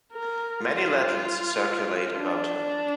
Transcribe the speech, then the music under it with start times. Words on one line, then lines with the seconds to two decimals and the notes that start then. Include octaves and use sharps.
Many legends circulate about him.
0.13 A#4
0.64 F4
2.16 D4